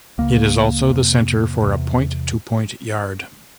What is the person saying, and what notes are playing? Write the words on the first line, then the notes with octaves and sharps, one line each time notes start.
It is also the centre for a point to point yard.
C#2 C#3 A#3
F2 C3
E2 C3